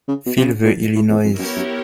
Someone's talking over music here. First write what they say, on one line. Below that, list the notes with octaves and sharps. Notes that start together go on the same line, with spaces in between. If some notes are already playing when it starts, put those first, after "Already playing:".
Feel the Illinoise!
C#3
B2
C3
C#3
A#2
A2
E2
F2
F#2 B3 E4 G4 A#4 C#5
F#2